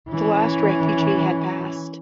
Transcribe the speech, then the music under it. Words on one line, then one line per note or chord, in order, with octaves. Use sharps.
The last refugee had passed.
E3 C#4